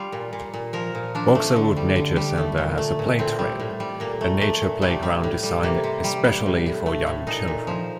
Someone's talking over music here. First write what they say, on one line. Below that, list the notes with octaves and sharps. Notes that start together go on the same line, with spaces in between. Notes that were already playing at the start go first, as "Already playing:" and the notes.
Boxerwood Nature Center has a PlayTrail, a nature playground designed especially for young children.
Already playing: G3 F4
A#2
A#2
A#2
F3 A#4
A#2
F3 D4
A3
D3
G3
D3
G3
A3
A#2
A3
A#2
A2 C4
G3
A2
G3
A#2 A#3
A3
A3
A#2
G3 A3
G3
A2
G3
C3 A#3
C3
G3
G3
A2
A2
A3
A2
A#2 D#4
A#2
F3